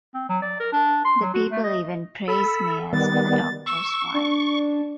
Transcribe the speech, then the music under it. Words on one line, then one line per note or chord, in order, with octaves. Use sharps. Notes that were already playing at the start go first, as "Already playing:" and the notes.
The people even praise me as the doctor's wife.
C4
F#3
D5
A#4
D4
C6
F#3
F#4
A3
D#5
A4 B5
D#3 G3 B3 A6
C#6 E6
D4